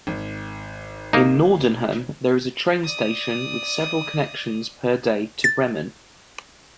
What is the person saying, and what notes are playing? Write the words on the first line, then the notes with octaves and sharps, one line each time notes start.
In Nordenham there is a train station with several connections per day to Bremen.
G#1
A#3 D#4
D5 D#6
A6